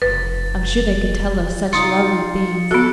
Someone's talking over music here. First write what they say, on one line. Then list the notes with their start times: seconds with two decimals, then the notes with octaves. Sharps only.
I'm sure they could tell us such lovely things.
0.02 F1 F#2 B4 A6
1.73 C3 D#4 F4 C#7
2.71 D3 B3 F#4 A4